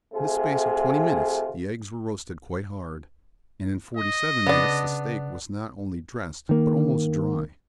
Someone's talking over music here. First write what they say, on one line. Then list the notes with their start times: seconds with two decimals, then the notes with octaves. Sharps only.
In the space of twenty minutes the eggs were roasted quite hard, and in forty-seven minutes the steak was not only dressed, but almost dry.
0.13 C3 A3 F4 G#4
3.97 D#5
4.47 C#3 B3 D4
6.49 D#3 A#3